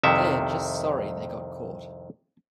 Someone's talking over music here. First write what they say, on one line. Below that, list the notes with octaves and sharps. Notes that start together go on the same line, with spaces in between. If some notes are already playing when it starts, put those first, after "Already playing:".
They are just sorry they got caught.
C2 F2 C3 D#3 E5